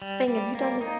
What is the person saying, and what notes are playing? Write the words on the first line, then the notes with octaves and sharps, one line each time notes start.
thing. Have you done that?
G3
G3
A#3
D#4